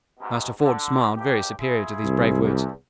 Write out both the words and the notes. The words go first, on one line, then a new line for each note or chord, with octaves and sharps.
Master Ford smiled very superior to these brave words.
A1 G#2 B2
D3
A#1 G2 G4
E4 F4 G#4
C2
E2